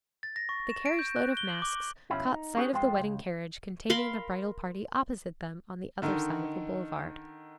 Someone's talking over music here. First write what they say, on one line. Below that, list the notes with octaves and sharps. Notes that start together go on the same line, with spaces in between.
The carriage-load of masks caught sight of the wedding carriage containing the bridal party opposite them on the other side of the boulevard.
A6
A#6
C#6
E7
D7
G6
F#6
G7
F#7
D6
B2 F3 C#4 E4 F4
D#4
C#4 D#4 G4 G#4 B4 C5
F2 G#3 F4 C5 G5 C6
C#2
A#4 F5 B5 C6
D3 D#3 D#4